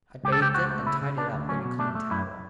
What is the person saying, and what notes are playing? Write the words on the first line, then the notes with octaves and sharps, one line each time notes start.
I bathed it, and tied it up in a clean towel.
C#2 G4
A4
C#2 G4
C#2 F#4
A3
C#3 E4
C#3
C#3 D4
D2
F#3 C#4
B2
A3 D4
A3
F#2 E4